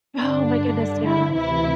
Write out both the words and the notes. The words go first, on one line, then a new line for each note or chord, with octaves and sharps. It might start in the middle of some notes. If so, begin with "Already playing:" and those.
Oh my goodness, yeah.
G2 D3 D4
E4
D2 C3 E3 E4